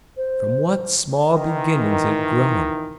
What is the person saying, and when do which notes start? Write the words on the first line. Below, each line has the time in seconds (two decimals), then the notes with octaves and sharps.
From what small beginnings it had grown!
0.17 C5
1.31 D#3 E3